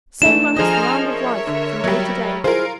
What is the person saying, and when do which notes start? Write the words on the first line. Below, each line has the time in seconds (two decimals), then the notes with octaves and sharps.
So runs the round of life from day to day.
0.22 E3 G#3 A3 D4 E7
0.57 F3 D4 G#4 C5 D#5 G#5 A#5 F6
1.04 A#4 C#5 E5
1.47 D3
1.84 F#3 G3
2.44 E4 F4 G#4 A#4 C5